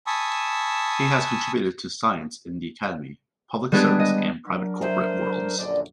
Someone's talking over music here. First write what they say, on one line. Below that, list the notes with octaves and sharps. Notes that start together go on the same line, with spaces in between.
He has contributed to science in the academic, public service, and private corporate worlds.
G#5 A5 B5 C#6 D#6 E6
G3 G#3 B3 D4 G#4
D#5
F#3 D4 A#4
A3 D#4 E4 C5
A#1 F#2 D3 D4 D5 D#5